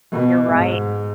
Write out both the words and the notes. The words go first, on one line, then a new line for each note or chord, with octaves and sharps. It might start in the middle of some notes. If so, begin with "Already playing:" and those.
You're right.
B2
G#2